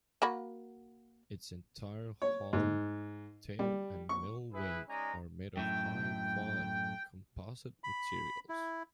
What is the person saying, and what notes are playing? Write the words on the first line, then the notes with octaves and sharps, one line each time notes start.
Its entire hull, tail and middle wing are made of high-quality composite materials.
A#3 F#4 B5
C#5
G#2
G3
C#6
E4 G#4 B4
G#3 C#4 D#4 D5 G#5 A#5
F#2 A2 G5
B5
E4